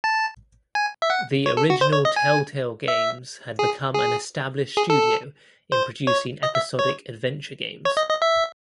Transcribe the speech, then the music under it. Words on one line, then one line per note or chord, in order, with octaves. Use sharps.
The original Telltale Games had become an established studio in producing episodic adventure games.
A5
G#5
E5
F#5
C#5
A4
F#4
C5
C#5
D#5
G#5
E5
G#4
G#4
G#4
A4
C5
C#5
D#5
E5
C#5
C#5
D#5
D#5
E5